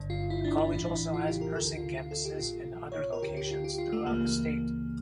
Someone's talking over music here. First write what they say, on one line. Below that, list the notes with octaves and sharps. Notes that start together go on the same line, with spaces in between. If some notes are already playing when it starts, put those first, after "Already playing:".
The college also has nursing campuses in other locations throughout the state.
Already playing: G1 G2 D3
F4
E4
D4
D4
A1 A2 E3 E4
F4
G4
A#4
D2 D3 A4
F4
F4
A4
G4
A#1 A#2 F4
C#5
A#4
D2 D3 G4
G4
F4
G4
F4
A3
C#2 C#3 E3 A#3